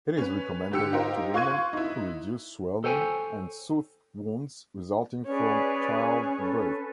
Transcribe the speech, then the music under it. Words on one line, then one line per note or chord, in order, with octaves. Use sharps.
It is recommended to women to reduce swelling and soothe wounds resulting from childbirth.
C#4 B4
G#2 D3 G4 E6 C#7
D#4 F4 G4 A#4 C5
F4 C6 C#6 F#6 G#6 D#7
D#4 E4
A4 C5 C#5 G5 G#5
C#4 G#4 B4 C#5 D5
A4 B4